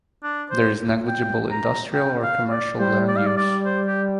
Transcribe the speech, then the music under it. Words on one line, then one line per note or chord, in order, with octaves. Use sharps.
There is negligible industrial or commercial land use.
D4
C5
G5
A#5
G5
F5
D5
G3 C5
D5
F5
D5
D5
C5
G4